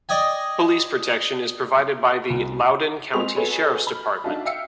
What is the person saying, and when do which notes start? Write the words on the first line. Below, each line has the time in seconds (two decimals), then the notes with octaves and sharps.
Police protection is provided by the Loudoun County Sheriff's department.
0.09 D5 D#5 G5 G#5
2.30 C2
3.14 G#3 C4 G#4 C6 B6 F7
3.36 F#4 G#4 A4 B4 C#5 D#5
3.87 B5 F6
4.24 D4 D#4 F#4 E5 F5 A5
4.45 E5 F5 G5 E6 C7 C#7